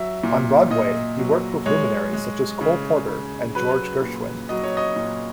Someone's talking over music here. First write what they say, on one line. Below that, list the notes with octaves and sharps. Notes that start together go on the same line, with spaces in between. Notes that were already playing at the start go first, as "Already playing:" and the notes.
On Broadway, he worked with luminaries such as Cole Porter and George Gershwin.
Already playing: F#3 E5
A#2
A#2 D#5
F#3
G#3 C#5
G#3
C#3
C#3
F#3 B4
A#2
F#3 D#5
C#5
D#5
A#2